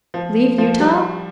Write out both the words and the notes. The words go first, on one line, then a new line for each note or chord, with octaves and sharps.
"Leave Utah!"
F3
F3
G3